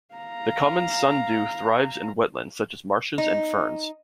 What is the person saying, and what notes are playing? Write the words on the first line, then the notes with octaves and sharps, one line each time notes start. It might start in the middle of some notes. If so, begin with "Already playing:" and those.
The common sundew thrives in wetlands such as marshes and fens.
F5 A#5
D#4